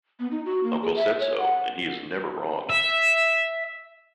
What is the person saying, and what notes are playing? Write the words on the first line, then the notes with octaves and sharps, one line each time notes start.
Uncle said so, and he is never wrong.
B3
D#4
F#4
A#3
G#4
E5
C#5
F#5
E5